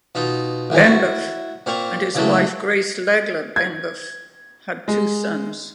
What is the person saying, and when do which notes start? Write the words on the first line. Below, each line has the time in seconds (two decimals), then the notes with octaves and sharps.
Benbough and his wife Grace Legler Benbough had two sons.
0.15 B2 D#4 F4
0.70 A1 D#3 E3 G#5
0.85 E4 F#4
1.66 A#2 C4 F5 C#6
2.15 C#3 E3 F#3 G#3 A3
3.56 G#6
4.88 G#3